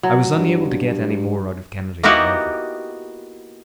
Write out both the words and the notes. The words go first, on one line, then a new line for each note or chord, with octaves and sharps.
I was unable to get any more out of Kennedy, however.
F#3
G2
A#3 B3 D#4 E4 F#4 G4